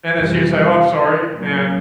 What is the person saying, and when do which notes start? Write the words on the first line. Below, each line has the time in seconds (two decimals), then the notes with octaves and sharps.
and then she would say, "Oh, I'm sorry," and
0.14 F2 C3 E3 G3
1.33 A#2 F#3 A#3 C#4